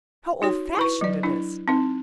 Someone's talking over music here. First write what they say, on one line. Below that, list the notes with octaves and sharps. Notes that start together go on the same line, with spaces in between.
How old-fashioned it is!
D#4 F#4 C#5
E4 B4 C#6
F#3 D5
D4 E4
C4 D#4